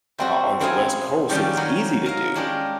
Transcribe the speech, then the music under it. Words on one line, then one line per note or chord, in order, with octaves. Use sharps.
o on the West Coast, it was easy to do,
G3 C4 F#4
F#2 C4 E4 G#4 F5 G#5
D#3 F3 G3 C#4 G4
F#3 D#4 C#5
A#4 F5
G#3 C#4 D4 G4 A#4